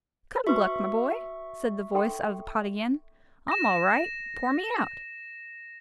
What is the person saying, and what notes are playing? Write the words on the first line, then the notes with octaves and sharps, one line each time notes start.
"Come, Gluck, my boy," said the voice out of the pot again, "I'm all right; pour me out."
F#4 B4 E5 C6 C#6
A4 G5 C6
A#6 E7